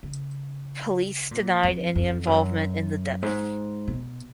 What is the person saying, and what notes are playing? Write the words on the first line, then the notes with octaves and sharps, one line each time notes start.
Police denied any involvement in the death.
C#3
A#2
F2
F2
F#2
G#2
B2